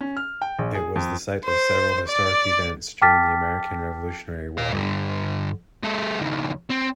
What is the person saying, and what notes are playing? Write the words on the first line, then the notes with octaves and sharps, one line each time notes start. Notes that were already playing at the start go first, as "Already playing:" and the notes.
It was the site of several historic events during the American Revolutionary War.
C#4
F6
G5
A#1
G#4
F2
C5
D5
G5 A5 D6 F6 A6 B6
A#2 F5
G2 D3
G#3 A4
C#2 D#3
C4